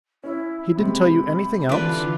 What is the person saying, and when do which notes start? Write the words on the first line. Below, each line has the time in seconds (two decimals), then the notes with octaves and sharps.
"He didn't tell you anything else?"
0.24 C#4 E4
0.77 C3 G#3 B5
1.69 D3 E3 D4 F4 B4